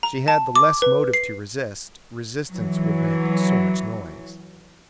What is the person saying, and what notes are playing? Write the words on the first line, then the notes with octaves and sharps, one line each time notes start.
She had the less motive to resist, resistance would make so much noise.
A#5
A5
D6
B4
C7
E3 F#3